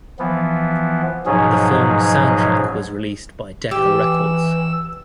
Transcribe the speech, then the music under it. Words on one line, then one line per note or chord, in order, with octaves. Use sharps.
The film's soundtrack was released by Decca Records.
E3 F3 B3
G#2 B2 F3 F#3 C#4 G#4
E3 G4 E6